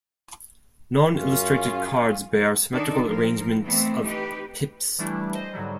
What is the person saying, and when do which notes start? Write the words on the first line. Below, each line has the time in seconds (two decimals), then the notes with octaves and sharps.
Non-illustrated cards bear symmetrical arrangements of pips.
1.15 F#2 C#4 F4 G#4
2.72 D#3 D4 D#4 A4 D5
3.06 F3 A#4
3.64 E3 A3 B3 C4
4.04 D#4 G4 B4
4.99 E3 G3 A3 D4 E4
5.35 C5 D#5
5.53 G#2 D3 F#3 G3